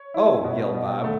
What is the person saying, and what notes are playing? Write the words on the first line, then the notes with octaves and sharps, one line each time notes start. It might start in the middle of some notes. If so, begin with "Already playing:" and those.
"Oh!" yelled Bob.
Already playing: C#5
E4
B2
B2 D#5
A3